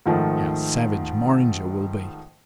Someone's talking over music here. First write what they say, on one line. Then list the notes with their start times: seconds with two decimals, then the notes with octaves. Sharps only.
How savage Morringer will be!
0.06 G#2 D#3 F3 A3